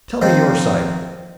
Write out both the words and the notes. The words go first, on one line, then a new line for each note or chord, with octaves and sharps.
Tell me your side.
D#3 F3 C4 D#4